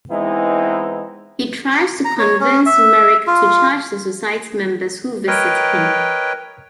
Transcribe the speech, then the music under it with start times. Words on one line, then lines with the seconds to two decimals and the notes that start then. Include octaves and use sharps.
He tries to convince Merrick to charge the society members who visit him.
0.11 E3 G#3 B3 C4 D#4 E4
2.05 A#5
2.19 C#5
2.40 C#4
2.66 E5
3.27 F4
5.28 A#4 B4 C#5 D#5 G5